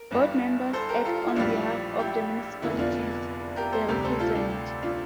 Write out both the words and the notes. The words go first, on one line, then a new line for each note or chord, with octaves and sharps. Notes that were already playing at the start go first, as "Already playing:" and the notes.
Board members act on behalf of the municipalities they represent.
Already playing: A#4
G1 G2 E3 G3
A4 C5
G4 A#4
F4 A4
F4
E4
A#1 A2 E3 G3 D4 F4
E4 G4
F1 E2 D3 E4
D4 F4
G4 A#4
A4 C5
D2 C3 G3 G4 A#4
A4 C5
F4 A4
D4 F4
D4 F4